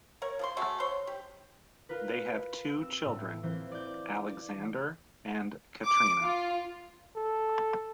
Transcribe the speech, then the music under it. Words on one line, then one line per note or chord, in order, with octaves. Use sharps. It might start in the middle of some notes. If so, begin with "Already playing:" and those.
They have two children, Alexander and Katrina.
A#4 C#5 C#6
F3 G#4 C6
D3 A3 F#4 G#4
C5 C#5 C6
G4
F4 A#4 B4
C4 E6
A2
E3 A#3 C4 C5
D5 G6
D5
D6
F4
A4